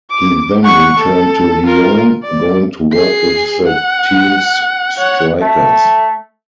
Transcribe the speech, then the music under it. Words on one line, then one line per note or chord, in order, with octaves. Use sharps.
He then returned to Lyon, going on work with the team's strikers.
D6
F#5 C#6
A4
F4 A#4
D5
G#4 C7
F#5
C#5 F#5
A3